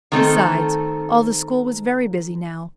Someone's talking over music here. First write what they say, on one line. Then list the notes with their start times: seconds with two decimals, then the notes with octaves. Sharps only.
Besides, all the school was very busy now.
0.12 D#3 A3 C4 A4